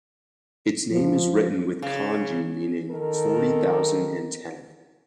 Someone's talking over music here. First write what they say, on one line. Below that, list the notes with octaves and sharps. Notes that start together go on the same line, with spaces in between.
Its name is written with kanji meaning "forty thousand and ten".
F3
C#3
D#3 A4 A#4